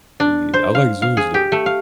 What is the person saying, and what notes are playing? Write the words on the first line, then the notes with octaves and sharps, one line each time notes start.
Yeah. I like zoos, though.
D4
C5
F5
F5
G#4
G4
A3
F5